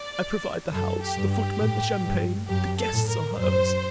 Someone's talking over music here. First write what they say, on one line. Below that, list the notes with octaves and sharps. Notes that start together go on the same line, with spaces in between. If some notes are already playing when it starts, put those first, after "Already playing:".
I provide the house, the footmen, the champagne; the guests are hers.
Already playing: D5
F#2 A4
G4
G2
G4
A2
G2
F#2 G4
A4
A2
A#4
F#2 C5